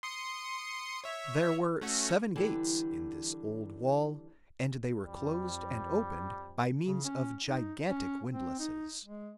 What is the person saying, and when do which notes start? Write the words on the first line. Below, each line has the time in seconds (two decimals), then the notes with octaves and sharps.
There were seven gates in this old wall and they were closed and opened by means of gigantic windlasses.
0.03 C6 D#6 C#7
1.04 C#5 E5
1.82 A3 C#4 F#4
2.36 D3 E3 G3
5.02 F2 G3
6.85 C#3
7.05 C#4
7.45 D#4
7.90 C#4
8.33 C4
8.59 D#4
9.05 G#3